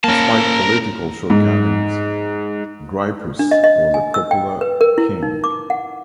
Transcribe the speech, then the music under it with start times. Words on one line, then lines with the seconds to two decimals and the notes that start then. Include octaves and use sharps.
Despite political shortcomings, Grypus was a popular king.
0.04 A#3 C#4 A#4 A5
1.30 G#2
3.39 D4
3.51 D#5
3.64 D#5
3.94 G#5
4.14 E6
4.31 G5
4.61 B4
4.81 A#4
4.98 E4
5.23 D#4
5.44 D6
5.70 F#5